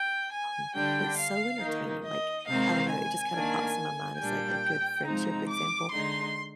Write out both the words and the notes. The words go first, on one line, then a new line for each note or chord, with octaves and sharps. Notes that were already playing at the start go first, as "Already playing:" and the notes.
um, but so entertaining, like, I don't know, it just kinda pops in my mind as like a good friendship example,
Already playing: G5
G#5
D3 G3 D4 G5
F5
D#3 A#3 D#4
D#5
C3 D#3 G#3 C4 D#4 F5
G#5
D#3 A#3 D4
A#2 G3 D4 G5
C3 F3 G#3 C4 D#4 A#5
D6
D3 G#3 D#4 C6